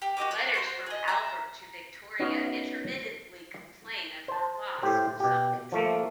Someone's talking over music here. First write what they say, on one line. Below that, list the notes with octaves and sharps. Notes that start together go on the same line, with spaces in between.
Letters from Albert to Victoria intermittently complain of her loss of self-control.
G4
F#4 G4 D#5 D6
D5 F#6
F#4 C5 C6
G#4 D#5
E5 A#5
B3 C#4 D#4 F#4
C5 A5
A2 G4 C5
B2 G4
F3 A3 A#3